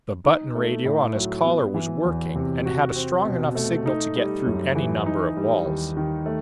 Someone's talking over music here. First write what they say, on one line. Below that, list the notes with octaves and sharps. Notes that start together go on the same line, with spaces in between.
The button radio on his collar was working and had a strong enough signal to get through any number of walls.
D#4
A3
A2
F#3
B3
E3
E2
C3
F#4
C4
B2
A3
D#4
G3
F#2
E3
D#4
G3
D#2
D#3
A3